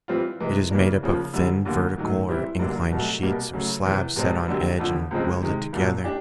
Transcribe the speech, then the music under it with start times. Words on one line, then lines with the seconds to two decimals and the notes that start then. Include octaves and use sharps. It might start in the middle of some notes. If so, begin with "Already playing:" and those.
It is made up of thin vertical or inclined sheets or slabs set on edge and welded together.
0.08 E3 G3 C4 F4
0.40 C3 E3 G#3
0.71 C#3 E3 G3 A#3 D4
1.03 D#2 C#3 F3 A#3
1.34 F#2 D3 G3
1.65 D#2 D3 G3 A#3
1.97 G#2 D#3 F#3 A3
2.28 E3 G3 C4 E4
2.59 G2 D3 F#3 A#3 D4
2.92 C2 B2 F#3 A3
3.22 C2 B2 G3 A#3
3.53 C#3 F#3 A3
3.85 E2 C3 E3
4.16 E2 B2 G#3 C4
4.48 D3 F#3 A#3 D4 G4
4.79 F2 D3 F3
5.11 C#2 C#3 F3 G#3 C4
5.42 C3 D#3 G#3
5.73 C2 A#2 F#3
6.04 D4 G4